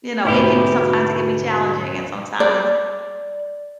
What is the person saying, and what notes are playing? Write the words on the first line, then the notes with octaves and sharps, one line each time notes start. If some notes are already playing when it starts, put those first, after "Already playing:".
you know, it can b sometimes it can be challenging and sometimes
D2 G#2 B2 E4 G4
D5